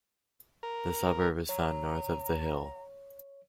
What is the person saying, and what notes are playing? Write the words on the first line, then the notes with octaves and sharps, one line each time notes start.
The suburb is found north of The Hill.
A#4
C#5 A#5